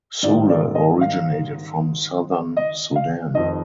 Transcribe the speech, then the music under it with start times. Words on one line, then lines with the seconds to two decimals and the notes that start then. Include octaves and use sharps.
Sule originated from southern Sudan.
0.23 G#1 G#2 G3 A#3 D5
0.49 D5
0.75 D#5
1.01 F5
2.57 D#5
2.96 F5
3.34 F1 F2 D#3 D#5